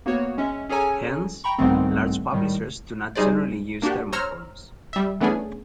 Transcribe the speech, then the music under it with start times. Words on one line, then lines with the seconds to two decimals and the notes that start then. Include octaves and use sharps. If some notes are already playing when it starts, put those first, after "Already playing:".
Hence large publishers do not generally use thermoforms.
0.06 A#3 B3 F#4 C#5
0.37 G#3 C#4 E5
0.69 C#4 G#4 A4 C#5 G#5 A#5
1.44 G5 A#5 B5 C#6
1.59 C2 G#2 D#3 A3 B3 C4
2.32 A2 D#3 G3
3.15 G3 D#4 G#4 C5 D5
3.82 A#3 D4 F#4 G4
4.13 C5 C#5 A#5 E6 F6
4.93 G3 E5
5.21 E3 A3 B3 C#4 D4 G#4